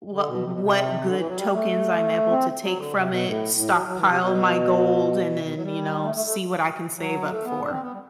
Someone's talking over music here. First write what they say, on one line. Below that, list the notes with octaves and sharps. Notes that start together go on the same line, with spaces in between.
what what good tokens I'm able to take from it, stockpile my gold and then, you know, see what I can save up for.
D3
B2
C3
B2
C3
D3
E3
F#3
G3
A3
C4
F#3
D3
C3
B2
A2
A2
F#3
F#3
E3
C3
B2
C3
B2
F#3
G3
A3
A3
A3
F#3
A3
B3
D4
C4
B3
G3